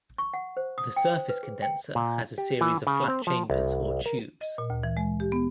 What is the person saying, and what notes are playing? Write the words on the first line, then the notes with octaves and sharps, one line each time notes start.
The surface-condenser has a series of flat chambers or tubes.
C#6
F#5
C5
D#6
G5
C5
B4
G#4
G5
A#2
G4
E3
C#3
C4
F3
C2
A#4
D#5
A#2
D2
E3
G#3
G4
B3